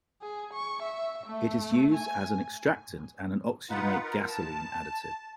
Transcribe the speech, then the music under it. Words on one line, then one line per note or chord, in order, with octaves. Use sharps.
It is used as an extractant and an oxygenate gasoline additive.
G#4
C#6
E5
A3
G#5
D#4 F4 B4 F#5
A#4
A5